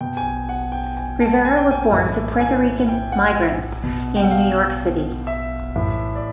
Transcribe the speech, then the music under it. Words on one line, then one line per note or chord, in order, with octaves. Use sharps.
Rivera was born to Puerto Rican migrants in New York City.
B2 G5
G#5
F#5
G5
G#5
A5
G#5
G5
G#5
A2
E3
G#5
G5
F#5
B2
G5
F#5
F5
E5
A2 E3
D5